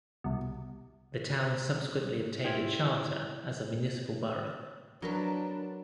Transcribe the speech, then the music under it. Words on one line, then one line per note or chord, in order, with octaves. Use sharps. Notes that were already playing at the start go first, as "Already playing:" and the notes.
The town subsequently obtained a charter as a municipal borough.
C2 B2
E4 F4 G4
F#3 D4 A#4 B4